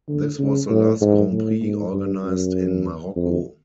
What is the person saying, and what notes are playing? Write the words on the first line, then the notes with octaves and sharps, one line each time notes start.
This was the last Grand Prix organized in Morocco.
D3
C#3
A2
G#2
A2
G#2
G2
F#2
F2